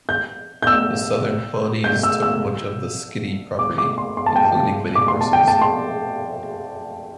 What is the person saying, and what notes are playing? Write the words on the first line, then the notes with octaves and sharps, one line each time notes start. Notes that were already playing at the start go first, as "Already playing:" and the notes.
The Southern Pawnees took much of the Skidi property, including many horses.
G6
G6
E6
G6
E6
E6
D6
D6
C6
C6
A5
G5
A5
D6
C6
A5
G5
A5
C6